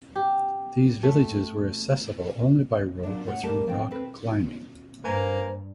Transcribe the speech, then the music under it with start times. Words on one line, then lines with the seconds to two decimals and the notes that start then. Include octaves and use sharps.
These villages were accessible only by rope or through rock climbing.
0.16 G4
1.03 A3
3.03 A#2 F#3 D4
3.25 A2 C#5 F#5
3.43 G3 A3 A#3 A5
3.66 D2 F3 B3 C4 D5 G5
3.91 C4 A4 B4
5.04 G2 A#3 B4 C5 G#5 A#5